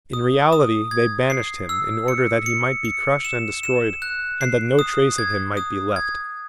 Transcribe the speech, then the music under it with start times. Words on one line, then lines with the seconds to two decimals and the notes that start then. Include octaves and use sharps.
In reality they banished Him in order that He might be crushed and destroyed, and that no trace of Him might be left.
0.13 D#6
0.53 D#6
0.91 G#6
1.30 C7
1.69 E6
2.08 C#7
2.46 C#7
2.85 C#7
3.25 E7
3.63 E7
4.02 F#6
4.41 C7
4.79 D#6
5.18 G#6
5.57 D#6
5.96 G#6